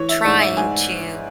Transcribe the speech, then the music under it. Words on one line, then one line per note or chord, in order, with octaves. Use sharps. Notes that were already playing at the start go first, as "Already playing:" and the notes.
trying to
Already playing: E3 C#5
E5
G#2 D5
E5
G#2 G#5